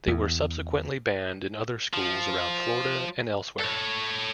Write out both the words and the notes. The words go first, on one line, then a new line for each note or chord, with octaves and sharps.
They were subsequently banned in other schools around Florida and elsewhere.
E2
F3
A4 C#5